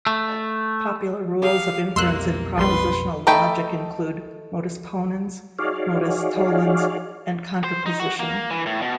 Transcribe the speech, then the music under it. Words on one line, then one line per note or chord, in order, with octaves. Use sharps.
Popular rules of inference in propositional logic include "modus ponens", "modus tollens", and contraposition.
A3
G4 G#4 F5
B1 F2 G#3 A#3 C6 E6 F#6
A#1 G3 B4 C6
A3 D#4 A4 G5 B5
D#4 F#4 G#4 C#5 D5 F5
C5
D#4
F#4
A#3
E3
A2
B2